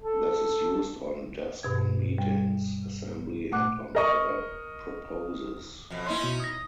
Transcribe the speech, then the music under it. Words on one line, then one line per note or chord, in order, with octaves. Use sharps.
This Is Used on Desk On Meetings, Assembly and on Other Proposes.
A4
G2 B2 G#6
G3
A#2 A3 F#5 D6 F#6
A#4 D#5 C#6
F2 B2
A#3 C#4 D#4 E4 C6
B2
D#6 A#6